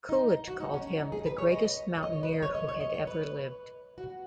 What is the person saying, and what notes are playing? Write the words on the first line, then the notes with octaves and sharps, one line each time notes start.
Coolidge called him "the greatest mountaineer who had ever lived".
D#4
F#4
D#4
C#4
C#4
D#4
G#4
B4
C#5
D#5
C#5
D#5
C#5
B4
D#5
C#5
D#5
C#5
D#5
C#5
B4
F#4